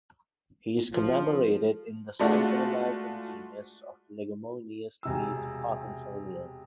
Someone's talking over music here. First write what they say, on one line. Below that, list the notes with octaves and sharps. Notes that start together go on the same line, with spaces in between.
He is commemorated in the Central American genus of leguminous trees "Parkinsonia".
F3
G#3 A3 D4 F4 F#4
E1 C3 E6